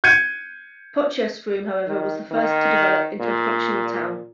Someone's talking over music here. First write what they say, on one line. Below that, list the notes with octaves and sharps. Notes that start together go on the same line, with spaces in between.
Potchefstroom however was the first to develop into a functional town.
G6 G#6 C#7 D#7
D#3
D#3
A#2